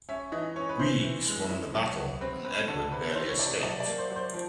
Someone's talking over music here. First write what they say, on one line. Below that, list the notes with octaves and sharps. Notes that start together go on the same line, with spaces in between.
Guigues won the battle and Edward barely escaped.
C#4 E5
E3 D#5
C#4 C#5
B4
E3 C5
E3
G#3
E4
F#3
F#3
C4 B4
C4 B4
D3 A4
C3 B4
E3 C5
C#5
C3 D5
D#5
F#3 D5
D5
A#3
C5
F#3
C5
F3